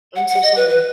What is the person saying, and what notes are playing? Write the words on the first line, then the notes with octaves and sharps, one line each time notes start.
I'm so sorry.
F#5
F#5
D#5
B4
B4